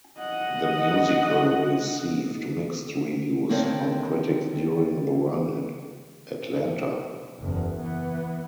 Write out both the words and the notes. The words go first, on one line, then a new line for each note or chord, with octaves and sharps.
The musical received mixed reviews from critics during the run in Atlanta.
D#5 F#5
D#2 D3 C4 D4 A#4 C#5
F#1 E2
E3 B3